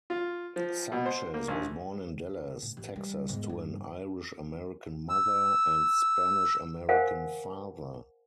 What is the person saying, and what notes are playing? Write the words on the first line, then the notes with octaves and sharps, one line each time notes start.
Sanches was born in Dallas, Texas to an Irish-American mother and Spanish-American father.
F4
F3
B2
C5
A#3
A#1
A2
A1
G3
E2 G#2
G2
E6
A#4 C5 F5 F#5 G#5